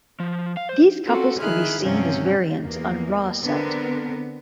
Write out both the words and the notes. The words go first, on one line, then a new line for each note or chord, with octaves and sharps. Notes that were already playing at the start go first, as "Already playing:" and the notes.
These couples can be seen as variants on Ra-Set.
F3
F5
C5
C4 C#4 F4 F#4 A4
D#3 E4 G#4 F6 F#6
G2 C3 F3 F#3 C4 C#4
E2 A#3
D3 B3 C4 A#4